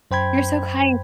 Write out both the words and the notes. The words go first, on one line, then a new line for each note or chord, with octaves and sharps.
You're so kind.
F#2 C5 G5 B5 G#6